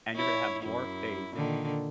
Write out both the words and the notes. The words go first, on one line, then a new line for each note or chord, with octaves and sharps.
and you're gonna have more faith
E4 C#5
F#2 E4
A#2 D3 D#3